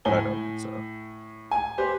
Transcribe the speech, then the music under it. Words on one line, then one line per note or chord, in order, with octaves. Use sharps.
but I don't think so.
A2 G#5 G7
G#5
G4 B4 C5